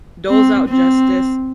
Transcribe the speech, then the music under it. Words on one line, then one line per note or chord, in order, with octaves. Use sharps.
doles out justice,
C4
C4